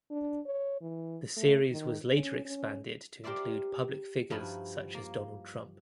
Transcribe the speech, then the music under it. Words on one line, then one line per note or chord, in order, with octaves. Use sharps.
The series was later expanded to include public figures such as Donald Trump.
D4
C#5
E3
A3
D#3
C#4
C#4
G4 A#4 C5 D5 E5
G2 F3 D#4 E4 F#4
A#3